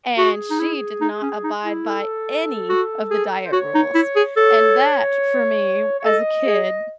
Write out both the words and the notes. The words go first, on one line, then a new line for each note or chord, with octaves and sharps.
and she did not abide by any of the diet rules. And that, for me as a kid,
F#4 G#4
D#4
E4
D#4
C#4
D#4
E4
A4
F#4
G#4
C5
F#4 C#5
D#4
E4
G#4
A4 C#5
C#5
A4 D#5
G#4